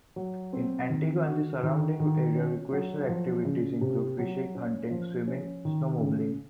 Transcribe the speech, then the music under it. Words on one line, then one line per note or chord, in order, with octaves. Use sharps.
In Antigo and the surrounding area recreational activities include fishing, hunting, swimming, snowmobiling.
F#3
C4
D#3
F#4
D#3
D#3
C#4
F#3
F3
C#3
C3
F#3
C#4
F3
C#4
D#3
C#3